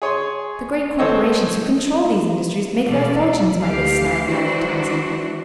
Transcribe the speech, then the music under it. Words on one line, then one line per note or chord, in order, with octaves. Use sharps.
The great corporations who control these industries make their fortunes by this style of advertising.
G#4 C#5 G#5 C6
E3 C4 A4 C5 C#5 D#5
B2 E3 G#3 A4 D5 F5
D2 D3 G4 F5
E3 G#3 D4 E4 F#4 C5